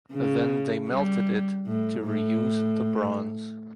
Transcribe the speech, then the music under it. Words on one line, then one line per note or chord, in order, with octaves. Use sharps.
Then they melted it to reuse the bronze.
C#3
G3
A2
A2